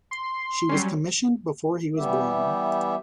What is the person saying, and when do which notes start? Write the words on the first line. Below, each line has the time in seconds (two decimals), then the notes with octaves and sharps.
She was commissioned before he was born.
0.11 C6
0.69 F#3 G3 C#4
1.97 E3 G3 B3 G4 E5